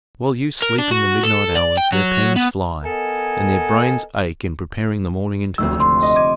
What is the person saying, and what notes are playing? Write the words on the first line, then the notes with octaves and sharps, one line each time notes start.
While you sleep in the midnight hours, their pens fly, and their brains ache in preparing the morning intelligence.
A#4
D4
F#4
A4
D5
G5
F#3
B3
B3 A4 A#4 D#5 G#5
F1 D2 C4 E6
C6
D#5
D6 G#6 D#7